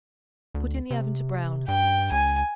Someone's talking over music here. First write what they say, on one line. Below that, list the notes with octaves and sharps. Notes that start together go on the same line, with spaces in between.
Put in the oven to brown.
D2
C3
G2 G5
C#2 G#5